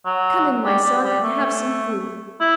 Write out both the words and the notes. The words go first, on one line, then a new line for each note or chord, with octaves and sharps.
'Come in, my son, and have some food.
F#3
G3
G3
G3
A3
E4